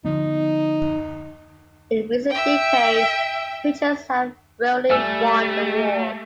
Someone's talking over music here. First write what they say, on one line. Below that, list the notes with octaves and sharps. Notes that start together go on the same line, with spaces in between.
In recent decades, pitchers have rarely won the award.
D3 F3 B3 D#4
E5 G5
G3 A3 G#5 E6